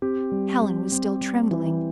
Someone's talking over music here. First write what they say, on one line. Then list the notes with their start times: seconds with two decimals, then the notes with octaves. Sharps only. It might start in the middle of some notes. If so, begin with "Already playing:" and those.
Helen was still trembling.
0.02 C4 G4
0.32 G3
0.61 C4
0.92 C4
1.21 G3
1.51 E3